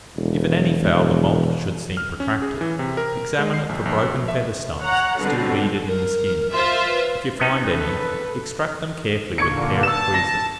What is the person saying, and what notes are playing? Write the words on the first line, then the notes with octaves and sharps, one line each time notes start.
If in any fowl the moult should seem protracted, examine it for broken feather-stumps still beaded in the skin: if you find any, extract them carefully with a pair of tweezers.
E1
E1
F6
C#4
G#4
E3
C3
A#4
G#3
C7
A#1
A#1
B2
E5
C#5 F#5 A#5
B2 D3 G3 C4
A#4
F4 C5 E5 C6
B4
B3 C#4 D#4
A4 B4
A#2 D3 A#3 C#6 G#6 C#7
A5 E6 E7
A#6